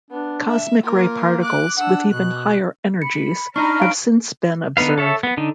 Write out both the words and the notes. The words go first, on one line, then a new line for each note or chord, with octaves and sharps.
Cosmic ray particles with even higher energies have since been observed.
B3 D4
E5
A#3 F4 A#4
D6 F#6
D4 F#5 E6
B2 F#6
B5 C#7
D4 D#4 A#5 B5 C#6 F6
F5 D7
D3 B3 D#4 B4 F5
A4 C#5 E5
B3
D3 D#4